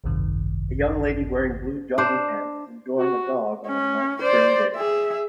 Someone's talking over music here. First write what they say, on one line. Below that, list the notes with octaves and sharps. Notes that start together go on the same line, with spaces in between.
A young lady wearing blue jogging pants is enjoying a jog on a nice spring day.
G#1 C#2 F#2 C3 D#3
D4 C5
F#4
C#4
C5 D5
G#4 E5